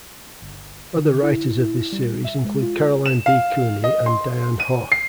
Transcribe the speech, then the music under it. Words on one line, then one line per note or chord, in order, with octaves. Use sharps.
Other writers of this series include Caroline B. Cooney and Diane Hoh.
G1
D3
E4
E4
G3
E5
G#3
F4
E7
F5
D#5
C6
D#7
C7